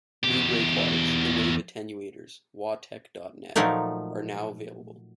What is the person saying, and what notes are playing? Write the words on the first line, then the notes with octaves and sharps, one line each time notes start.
New breakwaters, the wave attenuators - wawtech dot net - are now available.
E2 G4
A#2 F3 F#3 A3 D#4 A#4